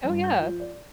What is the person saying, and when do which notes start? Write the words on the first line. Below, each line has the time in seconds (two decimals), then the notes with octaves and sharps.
Oh, yeah.
0.04 G2
0.24 G6
0.38 F3
0.60 D5